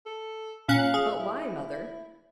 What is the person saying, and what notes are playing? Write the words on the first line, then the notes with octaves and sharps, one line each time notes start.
"But why, mother?"
A4
A#2 C#4 F5 F#6
G#4
E4